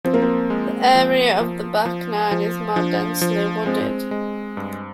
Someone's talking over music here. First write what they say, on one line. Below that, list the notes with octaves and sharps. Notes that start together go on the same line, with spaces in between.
The area of the back nine is more densely wooded.
F3 C4
A#3
C4
G#3
F3
F3
F3
F3
F3 D4
F3
G#3 C4
G#3
G2